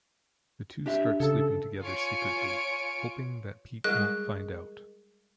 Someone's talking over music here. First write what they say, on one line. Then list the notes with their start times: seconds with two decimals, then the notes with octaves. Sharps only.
The two start sleeping together secretly, hoping that Pete won't find out.
0.86 D4 G4 E5
1.20 C#3 A4
1.82 F4 C#5 G#5 C#7 D7
3.84 G3 G#3 G#4 A#4 D#5 F#6